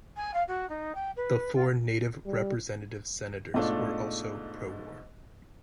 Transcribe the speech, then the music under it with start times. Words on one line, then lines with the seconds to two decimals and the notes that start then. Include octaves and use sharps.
The four Native Representative Senators were also pro-war.
0.16 G#5
0.34 F5
0.48 F#4
0.69 D#4
0.95 G5
1.16 B4
1.55 F4
2.26 G3
3.54 G#2 B2 A3 D4 F4